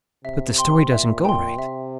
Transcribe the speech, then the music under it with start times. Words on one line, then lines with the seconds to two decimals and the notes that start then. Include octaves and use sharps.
But the story doesn't go right.
0.25 C3 E5
0.58 G5 C6
0.91 A#2 E5
1.25 G5 C6
1.59 C3 E5